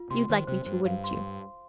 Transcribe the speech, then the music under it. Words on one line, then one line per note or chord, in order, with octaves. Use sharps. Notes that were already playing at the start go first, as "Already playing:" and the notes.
You'd like me to, wouldn't you?'
Already playing: F4
C3 C6
D#3 C5
C3 C5
G2 C5
G2 F5
C6